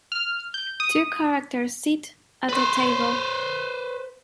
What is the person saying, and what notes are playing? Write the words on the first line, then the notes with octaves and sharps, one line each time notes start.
Two characters sit at a table.
F6
G6
D#6
B4 C5